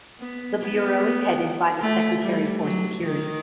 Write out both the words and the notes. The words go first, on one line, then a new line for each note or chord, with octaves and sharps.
The bureau is headed by the Secretary for Security.
B3
B3
A3
G3
F#3
D#3